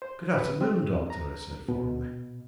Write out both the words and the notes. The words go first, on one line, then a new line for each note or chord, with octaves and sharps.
"Good afternoon, Doctor," I said formally.
C5
B4
C4
A#5
B2